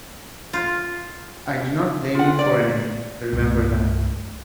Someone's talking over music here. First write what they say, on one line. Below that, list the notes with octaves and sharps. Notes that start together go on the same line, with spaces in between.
I do not blame you for anything; remember that.
F4
F4 F#5
D5
C2 G2 A3